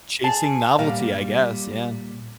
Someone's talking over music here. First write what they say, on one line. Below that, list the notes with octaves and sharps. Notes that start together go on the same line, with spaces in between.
Chasing novelty, I guess. Yeah.
G#4 A5
A#2 G3 F5